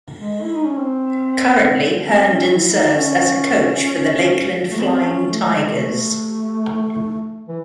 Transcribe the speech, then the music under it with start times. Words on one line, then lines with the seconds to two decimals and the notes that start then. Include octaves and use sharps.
Currently, Herndon serves as a coach for the Lakeland Flying Tigers.
0.17 G#3
0.42 E4
0.54 D#4
0.66 C#4
0.78 C4
2.02 C4
2.25 C#4
2.48 E4
2.72 D#4
2.95 C#4
4.71 A3
4.80 C4
5.03 C#4
5.26 A3
5.49 G#3
5.72 A3
7.48 E3